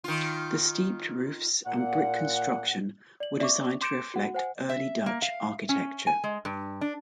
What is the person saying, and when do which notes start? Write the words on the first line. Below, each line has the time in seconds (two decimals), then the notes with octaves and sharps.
The steeped roofs and brick construction were designed to reflect early Dutch architecture.
0.04 D#3 F4
1.67 A#2 F#5
3.20 D5 F#7
3.40 D5 E5 C#6 D6
3.81 C6 D6 G6 C#7 D7 E7
4.14 F#4 F#5
4.34 C5 F#5 G#5
4.69 E5
5.06 A#3
5.22 F5
5.69 C#4
6.07 G#5
6.24 G#3
6.45 G2
6.81 D4